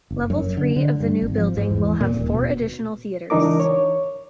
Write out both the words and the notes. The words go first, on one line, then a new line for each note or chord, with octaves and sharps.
Level three of the new building will have four additional theatres.
F#1
F#2
D3
D3
G2
G#1
F3
G#2
E2
A#2
D#1
B2
C#2 E3 D4 D#4 A#4 D6
C#5